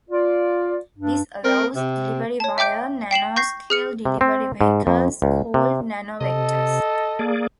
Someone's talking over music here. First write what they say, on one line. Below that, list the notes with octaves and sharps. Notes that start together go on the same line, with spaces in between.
This allows delivery via nano-scale delivery vehicles called nanovectors.
F4 D5
G2 D4
C4 A#4
C3
C#5 A5
E5 G5 D6 G6 D7
G5 C7 E7 F#7
C#6 G6 A#6 C7
G#4 F6 C#7
C3
C4
G#2
F2
C#2
C3
C3 A4 D#5
A#3 G#4 D5